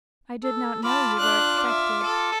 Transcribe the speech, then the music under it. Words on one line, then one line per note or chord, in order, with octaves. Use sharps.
"I did not know you were expected."
A4
F4 A5 B5 D6 F6
D4 F#6
E5
A4